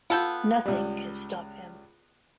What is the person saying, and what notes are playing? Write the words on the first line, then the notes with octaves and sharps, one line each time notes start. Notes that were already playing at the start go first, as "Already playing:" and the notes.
Nothing can stop him.
B3 F4 A4 G5
C#2 G3